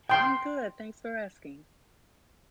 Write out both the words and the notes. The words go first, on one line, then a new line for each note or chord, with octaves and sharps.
I'm good, thanks for asking.
G5 C6